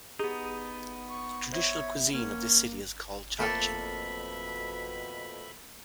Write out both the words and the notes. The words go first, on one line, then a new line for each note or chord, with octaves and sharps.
The traditional cuisine of the city is called Tahchin.
B3 D#4 G4 G#4
C#6
C5 C#5 E5
A#3 C#4
F2 B2 A3 A#3 A4 E5 B5